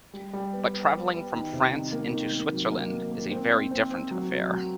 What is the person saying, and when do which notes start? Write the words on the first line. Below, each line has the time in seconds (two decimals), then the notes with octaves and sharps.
But travelling from France into Switzerland is a very different affair.
0.13 G3
0.33 G3
0.53 B3
0.73 B3
0.93 B3
1.13 B3
1.33 D#3
1.53 C3
1.72 D#3
1.92 A#3
2.13 D#3
2.32 A#3
2.52 F#3
2.72 A#3
2.92 A#3
3.11 A#3
3.31 C4
3.51 C4
3.71 C4
3.91 C4
4.11 F#3
4.30 F#3
4.51 F#3